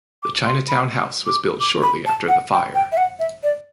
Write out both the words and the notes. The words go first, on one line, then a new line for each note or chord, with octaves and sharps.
The Chinatown House was built shortly after the fire.
D6
C6
B5
D6
D6
B5
A5
F#5
G5
G5
E5
F#5
E5
D5